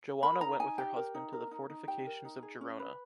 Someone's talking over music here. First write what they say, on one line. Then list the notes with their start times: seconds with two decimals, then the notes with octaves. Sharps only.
Joana went with her husband to the fortifications of Girona.
0.23 A#4 B5
0.41 D#4 A#5
0.60 D#4 G#5
0.78 G4 G5
0.96 A#4
1.15 D#4
1.33 A#4
1.51 D#4
1.70 D#4
1.87 G4 G5
2.06 A#4
2.25 D#4
2.43 G#4
2.61 C#4
2.79 B4